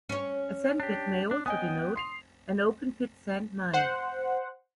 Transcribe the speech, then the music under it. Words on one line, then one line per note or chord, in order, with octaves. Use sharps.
A "sandpit" may also denote an open pit sand mine.
C#4 C#5
D4 G4
D4
B3 D#5 G5 G#5 D#6
C6 C7 F7
C5 F#5